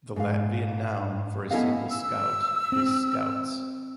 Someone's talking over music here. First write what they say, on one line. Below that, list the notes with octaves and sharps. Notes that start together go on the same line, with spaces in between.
The Latvian noun for a single Scout is "Skauts".
G#2 F5
B3 C#4 E4 A4 D#5 F5
E6
C4